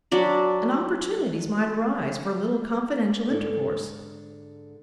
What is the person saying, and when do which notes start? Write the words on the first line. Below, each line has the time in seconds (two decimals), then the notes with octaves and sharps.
And opportunities might arise for a little confidential intercourse.
0.11 F#3 D4 B5
3.28 G#2 D3 A4 D5